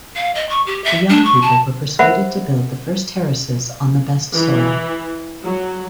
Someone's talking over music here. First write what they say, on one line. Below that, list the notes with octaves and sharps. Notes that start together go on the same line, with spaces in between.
The young people were persuaded to build the first terraces on the best soil.
F5
D#5
C#6
G4
E5
D4
C#6
A5
A#4 C5 E5 F#5 B5
E3
F#3